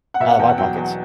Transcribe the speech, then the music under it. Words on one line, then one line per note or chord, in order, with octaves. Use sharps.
out of our pockets.
F#5
B2 E5
F#5
E2 G5
F#5
F#3 G5
E2